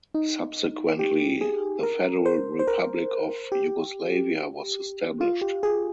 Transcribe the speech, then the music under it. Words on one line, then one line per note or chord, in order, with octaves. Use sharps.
Subsequently, the Federal Republic of Yugoslavia was established.
D#4
G4
G#4
A#4
C5
C5
A#4
G4
F4
G4
G#4